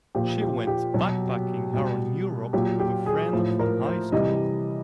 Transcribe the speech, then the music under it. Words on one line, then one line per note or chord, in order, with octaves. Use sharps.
She went backpacking around Europe with a friend from high school.
A#2 F3 G4
G4
G4
B2 F#3
B2 G3
A#2 F#3 G4
G4
G#4
A2 F3
A#4
C5
C3 E3 G3 D#5